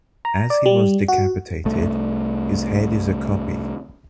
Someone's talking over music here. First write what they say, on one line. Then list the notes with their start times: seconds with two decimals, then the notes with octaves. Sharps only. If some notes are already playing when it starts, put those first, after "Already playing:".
As he was decapitated, his head is a copy.
0.25 A#5
0.50 D5
0.66 G3
1.08 F#4
1.65 C2 A3